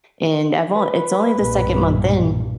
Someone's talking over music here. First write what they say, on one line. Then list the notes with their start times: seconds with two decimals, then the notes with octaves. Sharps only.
and I've on it's only the second month in,
0.75 B4
1.36 B1 G2 A#2